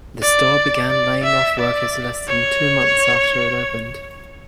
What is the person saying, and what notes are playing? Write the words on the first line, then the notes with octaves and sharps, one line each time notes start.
The store began laying off workers less than two months after it opened.
D5
D5
E5
D5
C#5